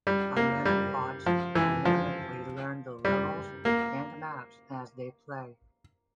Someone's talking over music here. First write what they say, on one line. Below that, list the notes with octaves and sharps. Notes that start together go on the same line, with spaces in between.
Dynamic bots, dynamically learn the levels and maps as they play.
G3
A#3
G3
F3
E3
F3
G3
A#3